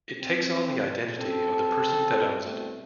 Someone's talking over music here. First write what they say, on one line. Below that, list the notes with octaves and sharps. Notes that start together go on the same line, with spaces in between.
It takes on the identity of the person that owns it.
C4
C4 A4
C2 B2 A3 C4